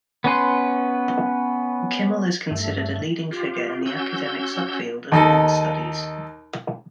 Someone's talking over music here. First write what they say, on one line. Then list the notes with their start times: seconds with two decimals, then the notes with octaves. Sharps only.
Kimmel is considered a leading figure in the academic subfield of men's studies.
0.24 B3 C#4 B4 C6
2.51 G2 A3
3.31 F4 G4
3.86 C#4 F#4 E6 G6
5.12 D#2 D#4 A4